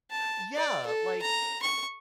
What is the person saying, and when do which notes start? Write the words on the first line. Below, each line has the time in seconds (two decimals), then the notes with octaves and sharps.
Yeah, like,
0.11 A5
0.56 D5
0.87 A4
1.22 A#5
1.62 C#6